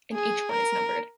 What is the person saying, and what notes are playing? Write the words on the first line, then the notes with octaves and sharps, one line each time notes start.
And each one is numbered.
G#4
A#4